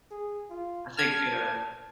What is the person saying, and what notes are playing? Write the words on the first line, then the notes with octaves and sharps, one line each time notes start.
I think, uh
G#4
F4
A5 F6 G#6